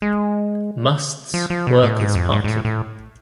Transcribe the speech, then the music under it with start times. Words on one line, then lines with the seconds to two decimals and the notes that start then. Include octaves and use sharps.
Muste's Workers Party.
0.02 G#3
1.34 F3
1.50 F3
1.67 B2
1.83 A2
1.99 G#2
2.15 F2
2.32 G#2
2.44 G#2
2.48 A2
2.65 A2